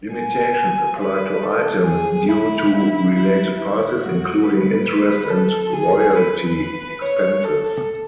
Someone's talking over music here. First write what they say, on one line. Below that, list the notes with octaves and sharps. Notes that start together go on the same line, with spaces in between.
Limitations apply to items due to related parties, including interest and royalty expenses.
G#5
B4
A4
G#4
E4
E4
E4
F#4
B4
B4
A4
G#4
B4
C#5
A4